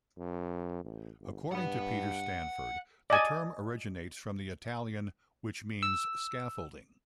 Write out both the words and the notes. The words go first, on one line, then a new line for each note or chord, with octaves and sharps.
According to Peter Stanford the term originates from the Italian ', which means scaffolding.
F2
A1
G1
G2 F#5 B5
D5 D#5 G#5
E6